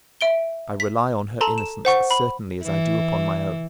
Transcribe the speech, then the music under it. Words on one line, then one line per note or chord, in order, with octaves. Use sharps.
I rely on her innocence as certainly as I do upon my own.
E5 D7 G7
B6
A4 A5 A#5 C6
E7
C5 F#5 C#6
B5
E3